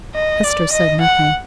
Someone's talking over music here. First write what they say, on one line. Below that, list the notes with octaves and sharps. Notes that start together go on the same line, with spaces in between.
Hester said nothing.
D#5
D5
D#5
F#5